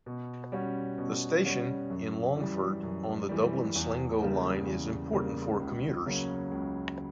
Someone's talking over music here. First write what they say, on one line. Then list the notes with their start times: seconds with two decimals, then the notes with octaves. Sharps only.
The station in Longford on the Dublin-Sligo line is important for commuters.
0.06 B2
0.52 G3 C#4 F#4
0.98 B2
1.45 G3 C#4 F#4
1.90 F#2
2.36 E3 G3
2.83 F#2
3.29 E3 G3
3.76 E2
4.21 C#3 G3 A#3
4.67 E2
5.13 C#3 G3 A#3
5.60 C#2
6.06 C#3 F#3 A#3 C#4
6.51 C#2